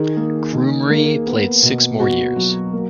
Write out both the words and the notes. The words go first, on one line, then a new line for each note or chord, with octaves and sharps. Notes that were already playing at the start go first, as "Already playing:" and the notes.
Krumrie played six more years.
Already playing: D#3 G#4
A#3
D#3
A#3
B3
B2
B2 F#4
F#3
A#3